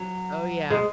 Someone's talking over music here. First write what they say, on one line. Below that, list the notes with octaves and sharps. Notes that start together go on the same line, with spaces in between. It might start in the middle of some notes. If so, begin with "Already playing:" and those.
Oh, yeah.
Already playing: F#3
G#3